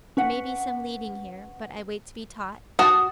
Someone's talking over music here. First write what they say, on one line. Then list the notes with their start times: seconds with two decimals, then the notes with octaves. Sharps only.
There may be some leading here; but I wait to be taught.
0.17 C#4 B4 F#5
2.79 F#4 A5 D#6